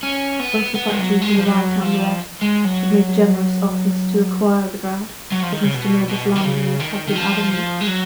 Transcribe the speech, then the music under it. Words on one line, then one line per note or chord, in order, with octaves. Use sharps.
Both the factory to the right and the left had made generous offers to acquire the ground, but Mr. Milburgh's landlord had been adamant.
C#4
B3
B3
G#3
F#3
G#3
F3
F#3
F3
G#3
F#3
F#3
F3
D#3
C#3
B2
B2
D#3
C#3
D#3
D#3
F3
F3
G#3
F#3